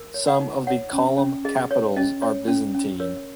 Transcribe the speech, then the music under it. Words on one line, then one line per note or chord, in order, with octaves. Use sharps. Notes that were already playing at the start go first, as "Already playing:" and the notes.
Some of the column capitals are Byzantine.
Already playing: A#4
C#5
C#5 F#5
D#4
C#5 F#5
C#4
C#4
G#4 D#5
C#5
C#4 D#5
C#5
C#4
C#4
A#4 C#5